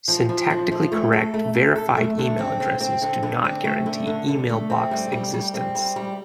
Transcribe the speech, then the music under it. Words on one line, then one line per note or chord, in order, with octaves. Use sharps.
Syntactically correct, verified email addresses do not guarantee email box existence.
F3
F3
F3
F3
A3
A4
A3
A4
A4
A3
D3
C4
C4
C4
D3
D3
C4
A3
D3
D3
D3
A3
C4
G3
G3
G3
C4
G3
G3